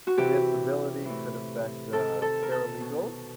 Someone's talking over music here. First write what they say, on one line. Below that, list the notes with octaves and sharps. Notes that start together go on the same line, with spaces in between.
this ability could affect, uh, paralegals
F#4
C3 E3 G4
A2 E3
C3 D#3 A4
A4
A#4
A4
B2